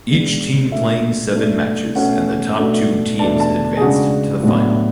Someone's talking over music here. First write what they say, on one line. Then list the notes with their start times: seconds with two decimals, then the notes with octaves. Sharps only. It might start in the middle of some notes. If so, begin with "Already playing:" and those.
Each team playing seven matches and the top two teams advanced to the final.
0.10 B2 G#3 B3 D4
0.71 B2 A3 D4 E5
1.34 B2 A3 D4
1.96 B2 A3 C#4 F#5
2.58 B2 A3 D4
3.19 E2 B2 A3 D4 A5
3.40 A5
3.77 G#4
3.81 C#3 G#3 D4 F#4
4.43 A2 F#3 B3 D4